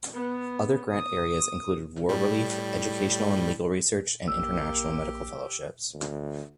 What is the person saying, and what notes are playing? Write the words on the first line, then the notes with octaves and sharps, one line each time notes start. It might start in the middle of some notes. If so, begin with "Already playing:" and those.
Other grant areas included war relief, educational and legal research, and international medical fellowships.
B3
D#6
A2 G3
A#1 A#3 G4 E6
D2